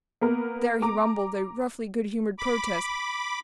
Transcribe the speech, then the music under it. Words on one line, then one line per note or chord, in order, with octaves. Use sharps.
There he rumbled a roughly good-humoured protest.
A#3 B3 A#4
A#5 D6
B5 D6